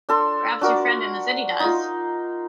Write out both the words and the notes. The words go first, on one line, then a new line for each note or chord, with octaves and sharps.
Perhaps your friend in the city does.
D4 A4 C6
D4 F#4 A#4 D5
D#4 F4